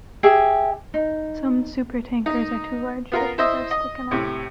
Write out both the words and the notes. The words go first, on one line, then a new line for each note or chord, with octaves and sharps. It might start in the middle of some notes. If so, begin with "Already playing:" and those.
Some supertankers are too large to traverse the canal.
G4 G#4 E5
D#4
D#4
B3 F4 A#4
E4 C5 D#5 E5
D#5
A2 C3